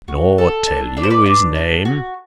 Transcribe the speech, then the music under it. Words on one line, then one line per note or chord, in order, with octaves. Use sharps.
"Nor tell you his name?"
F#4
A4
D4
D4 D5
C5
B4 D5
D4
D4
F#4